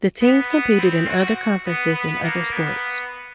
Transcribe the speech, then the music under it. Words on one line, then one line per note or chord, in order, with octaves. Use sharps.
The teams competed in other conferences in other sports.
B3
B3
C4
F#4
B3
B3
A#3
B3